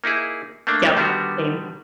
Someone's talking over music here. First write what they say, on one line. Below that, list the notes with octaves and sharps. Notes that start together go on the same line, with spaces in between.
Yep. Same.
A#3 D#4 E4 G#4
A3 A#3 D4
D3 D#3 G3 B3 D4 F#4